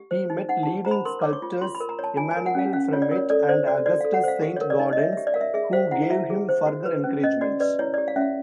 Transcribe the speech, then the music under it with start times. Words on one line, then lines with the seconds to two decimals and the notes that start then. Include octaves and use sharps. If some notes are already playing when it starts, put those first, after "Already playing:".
He met leading sculptors Emmanuel Fremiet and Augustus Saint-Gaudens, who gave him further encouragement.
Already playing: G4
0.11 C5
0.30 D#4
0.49 D#4 F#5
0.63 A5
0.67 G4
0.85 C5 A#5
0.91 B5
1.05 A#4 C6
1.22 C#5 D6
1.33 C#6
1.42 F4
1.61 F4 C6
1.75 B5
1.81 A#4
1.89 A#5
1.99 C#5 A5
2.17 F4 G#5
2.31 G#5
2.37 A#4
2.46 F#5
2.55 C#4 F5
2.73 C#4 F5
2.93 F4 C#5
3.02 D5
3.11 A#4 C#5
3.30 A4 D5
3.49 C5 D5
3.67 F#4 D5
3.86 F#4 D5
4.01 F5
4.05 A4
4.14 F#5
4.24 C5 F5
4.42 G4
4.56 C#5
4.61 A#4
4.70 D5
4.79 D#4
4.93 D#5
4.98 C#5 E5
5.13 E5
5.17 G4
5.27 D5
5.34 A#4 F5
5.41 E5
5.54 G#4 E5
5.73 C5 F5
5.91 E4 F#5
6.02 F5
6.10 E4 E5
6.30 G#4
6.49 C5
6.66 F#4
6.85 B4
7.04 C#4
7.23 C#4 D#5
7.41 F#4 D5
7.60 B4 D5
7.79 E4 C#5
7.94 D5
7.98 G4
8.08 F5
8.16 C#4 E5
8.21 F5